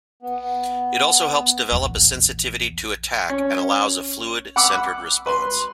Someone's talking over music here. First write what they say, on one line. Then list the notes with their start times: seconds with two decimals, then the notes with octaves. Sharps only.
It also helps develop a sensitivity to attack and allows a fluid, centred response.
0.22 B3
1.72 A#1 E2
3.30 C#4
4.56 F#5 B5 D6 E6
5.26 B4 C6